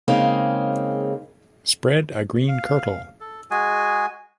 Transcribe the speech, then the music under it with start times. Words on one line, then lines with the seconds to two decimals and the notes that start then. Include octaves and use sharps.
Spread a green kirtle.
0.08 C#3 G#3 A#3 C4 C#4 D#4
2.48 F5
3.20 A4
3.51 G#3 F#4 G#4 G#5